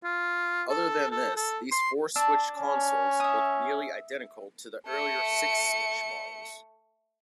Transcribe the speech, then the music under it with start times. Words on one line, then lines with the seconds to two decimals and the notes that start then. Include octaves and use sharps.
Other than this, these four-switch consoles looked nearly identical to the earlier six-switch models.
0.04 F4
0.69 A4
1.10 A4
1.36 A4
1.71 C6
2.16 D4 A5 E6
2.56 C#4
3.20 E5 D#6
4.86 A3 C#7